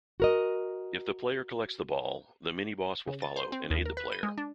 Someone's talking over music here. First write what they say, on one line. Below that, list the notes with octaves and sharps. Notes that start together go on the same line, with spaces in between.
If the player collects the ball, the miniboss will follow and aid the player.
F#4 A#4 D#5
C#3
A6
C5
C4
D#2
A#4
B4
D#7
G#3
D4